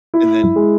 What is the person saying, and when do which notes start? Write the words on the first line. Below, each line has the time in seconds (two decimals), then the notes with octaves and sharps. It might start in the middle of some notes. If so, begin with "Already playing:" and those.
And then
0.14 E4
0.56 G#3